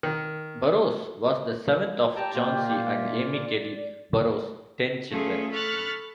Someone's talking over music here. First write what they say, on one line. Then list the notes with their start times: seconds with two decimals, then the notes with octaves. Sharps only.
Burroughs was the seventh of Chauncy and Amy Kelly Burroughs' ten children.
0.03 D#3
2.16 G4 G5 A5 A#5
2.34 A#2 A#3 F4
2.92 E5
3.32 D5
5.08 A3 C#4 F4 G#4 A4
5.49 A4 B5 C#6 F6 F#6 A6